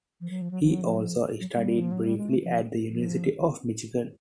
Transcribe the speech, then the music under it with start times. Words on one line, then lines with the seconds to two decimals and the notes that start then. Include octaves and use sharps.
He also studied briefly at the University of Michigan.
0.21 F3
0.30 F#3
0.42 F3
0.51 F#3
0.62 F3
0.72 F#3
0.82 F3
0.93 F#3
1.03 F3
1.40 F#3
1.55 G3
1.78 F3
1.92 F#3
2.05 G3
2.18 G#3
2.29 A3
2.44 F3
2.90 F3